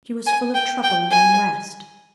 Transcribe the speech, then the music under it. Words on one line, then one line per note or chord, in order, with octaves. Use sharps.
She was full of trouble and unrest.
G#5
G5
G5
G#5